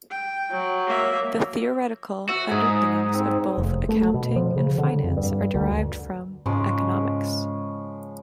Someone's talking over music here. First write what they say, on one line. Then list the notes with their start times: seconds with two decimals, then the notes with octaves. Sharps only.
The theoretical underpinnings of both accounting and finance are derived from economics.
0.10 G5
0.51 F#3
0.87 A#3 E5
2.29 F#4 E5
2.51 G#2 G#4 D#5 F#5
3.14 C4
3.58 F1
3.89 A3
4.14 B2
4.36 F3
4.56 C#3
4.78 D3
5.04 F2
5.17 G2
5.55 D2
6.46 G#2 C#3 F3 G#3